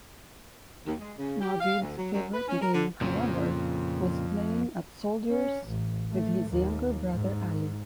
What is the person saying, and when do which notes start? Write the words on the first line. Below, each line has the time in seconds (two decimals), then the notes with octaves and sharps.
Naguib's favourite game, however, was playing at soldiers with his younger brother, Ali.
0.87 D#2
1.00 G#3
1.19 C#3
1.41 G4
1.61 F5
1.82 D2
1.98 F#3
2.14 F#2
2.34 B4
2.48 C#4
2.62 A#4
2.74 D3
3.01 F2 A#2 C#3 F3
5.31 C#4
5.68 A1
6.12 A3
6.51 D#2
7.10 G#2